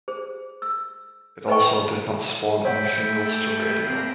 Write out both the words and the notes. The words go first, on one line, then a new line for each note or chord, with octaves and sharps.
It also did not spawn any singles to radio.
G#4 C5
E6
B4 C5 D#5 G5 G#5 C#6
C5 C#5 E5 F#5 G5 B5
A3 A4
A#3 C4